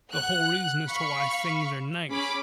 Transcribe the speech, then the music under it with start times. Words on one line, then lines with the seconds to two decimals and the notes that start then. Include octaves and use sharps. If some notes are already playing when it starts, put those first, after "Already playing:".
the whole reason as to why things are nice.
0.12 F#5 F#6
0.88 F5 B5 C#6
2.09 C#4 G#4 B5 D6